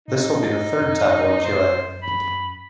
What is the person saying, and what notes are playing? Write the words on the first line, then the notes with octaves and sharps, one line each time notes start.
This will be the third temple in Chile.
A2 D#4
F#2
C5
B5